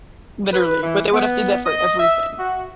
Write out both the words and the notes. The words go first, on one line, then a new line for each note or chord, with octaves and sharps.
Literally, but they would have did that for everything.
B4
E3
B3
D#5
E5
F#4